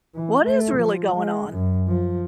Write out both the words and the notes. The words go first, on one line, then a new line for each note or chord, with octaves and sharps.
What is really going on?
E3
A3
F3
G#3
F#2
F3